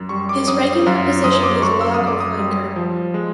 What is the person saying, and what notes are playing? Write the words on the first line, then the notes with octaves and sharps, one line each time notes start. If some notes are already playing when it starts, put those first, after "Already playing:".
His regular position is lock or flanker.
Already playing: F#2
G3 C#6
D6
F#2 D#6
F#2
F#2 D#6
D6
F#2 C#6
E6
D#6
F#2
D6
D#6
G3
F3
G#3